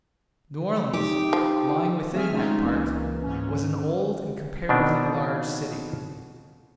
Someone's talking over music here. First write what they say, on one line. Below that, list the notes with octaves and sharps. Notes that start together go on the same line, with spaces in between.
New Orleans, lying within that part, was an old and comparatively large city.
D#4 G4
F3
A3 C4 G#4 E5 G#5 F6
G#3 C#4 D#4 F4
C#2 E3 A#3
G#2 C#4
B2 D#3 C4 D4